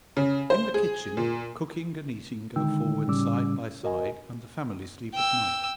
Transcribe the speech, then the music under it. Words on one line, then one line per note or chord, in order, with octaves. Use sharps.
In the kitchen cooking and eating go forward side by side, and the family sleep at night.
C#3
C5
G#4
A#2
D3 D#3 G#3 D#4 G5 E6
A2 C#3 G3 C#4 D6 E6
F#4 A#4 D#5 G#5
G5 E6